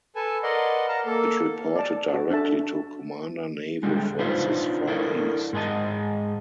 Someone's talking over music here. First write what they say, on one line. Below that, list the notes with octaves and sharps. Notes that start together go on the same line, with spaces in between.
It reported directly to Commander Naval Forces Far East.
A4 B4 G#5 A5
A#4 B4 D5 D#5 F#5 C6
F5 A5 A#5
A#3 A4
D5 A5
F#4
D4 A4 E5 A5
D3 G3 G#3
D4 D#4 F4 B4 C5
D4 E4 A4 A#4
G#2 G#3 G#4 A4 D#5 A5